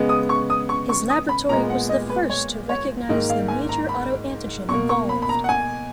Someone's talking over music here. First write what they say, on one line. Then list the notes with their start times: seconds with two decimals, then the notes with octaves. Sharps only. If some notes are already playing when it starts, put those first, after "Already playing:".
His laboratory was the first to recognise the major auto-antigen involved.
Already playing: C#3 G#3 B3
0.09 D#6
0.29 C#6
0.50 D#6
0.69 C#6
0.89 C#6
1.10 D#6
1.29 B5
1.49 A#2 G#3 B3 A#5
1.70 F#5
1.89 D#5
2.09 B4
2.30 C#5
2.69 C#5
3.09 G#2 D#3 A#3 D#5
3.30 F5
3.48 G#5
3.69 A#5
3.89 B5
4.69 B2 C#6
4.74 A#3
4.89 C#6
5.09 B5
5.22 B5
5.29 A#5
5.44 F#5
5.49 G#5